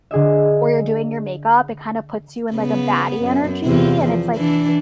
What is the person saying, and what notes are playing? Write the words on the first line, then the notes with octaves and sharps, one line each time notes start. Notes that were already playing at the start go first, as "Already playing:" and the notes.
or you're doing your makeup, it kinda puts you in like a baddie energy. And it's, like
D3 G#4 D#5 E5
C#3 B3
F#2
E2 C3
F3
E3 D4